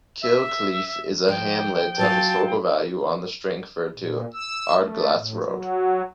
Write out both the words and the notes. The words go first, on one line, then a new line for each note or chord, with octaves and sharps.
Kilclief is a hamlet of historical value on the Strangford to Ardglass road.
E5
F3 G5
F#3 C#4 F4 A5
A#2
E6
A3
A2
F#3